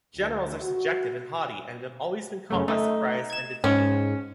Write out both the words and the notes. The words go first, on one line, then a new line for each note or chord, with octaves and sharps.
Generals are subjective and haughty, and have always been caught by surprise and defeated.
D2
F#4
F#2 C#3 A3
A3 D#4
G#6 E7
G#2 C#4